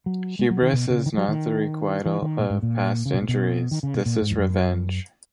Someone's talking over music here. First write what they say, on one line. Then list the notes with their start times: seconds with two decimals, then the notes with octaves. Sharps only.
Hubris is not the requital of past injuries; this is revenge.
0.06 F#3
0.39 G#3
0.50 F#3
0.62 D#3
0.73 B2
0.90 C#3
1.06 D#3
1.13 E3
1.17 F#3
1.28 D#3
2.06 E3
2.22 D#3
2.39 A#2
2.50 G#2
2.63 A#2
3.06 C#3
3.13 B2
3.22 A#2
3.29 B2
3.71 D#3
3.83 C#3
3.94 B2
4.06 A#2
4.21 G#2
4.31 E2
4.38 F#2